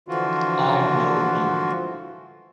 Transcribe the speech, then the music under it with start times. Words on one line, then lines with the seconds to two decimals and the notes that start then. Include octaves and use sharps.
I will be.
0.08 D3 E3 F3 F4 F#4